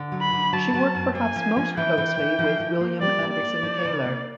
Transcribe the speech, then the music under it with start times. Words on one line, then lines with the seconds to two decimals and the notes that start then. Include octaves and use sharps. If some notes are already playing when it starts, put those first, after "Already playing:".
She worked perhaps most closely with William Anderson Taylor.
Already playing: D3
0.12 F#3
0.22 B5
0.33 D3
0.53 F#3 A5
0.74 F#3
0.95 F#2
1.15 A#3 G#5
1.36 F3
1.57 F3
1.77 E3 G5
1.98 E3
2.18 E3
2.39 F3
2.60 F3
2.80 A#3
3.01 G3 D5
3.22 A#3
3.32 D5
3.43 A#3
3.63 F3
3.84 C#3
4.05 A#3